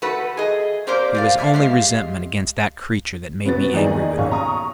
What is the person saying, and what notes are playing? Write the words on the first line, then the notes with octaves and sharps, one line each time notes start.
It was only resentment against that creature that made me angry with him.
A3 F#4 B4
G#4 D#5
A#3 C4 G4 A#4 C5 D5
A#2 D5 F5
C#5 E5 F5
G#3 G4 F5
C3 B3 C#4 F#4 A6
D#2 D#3 D#4 G#4 D5
B1 C#4 C#5 F5 C#6
A#5 C#6 D#6